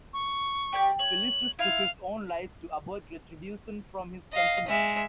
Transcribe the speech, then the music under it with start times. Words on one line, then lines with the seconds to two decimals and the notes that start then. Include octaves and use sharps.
Philistus took his own life to avoid retribution from his countrymen.
0.13 C#6
0.73 G4 D5 G5
0.99 C#5 F#7
1.59 E4 F4 F5
4.33 D#5 F5
4.69 G#3 E5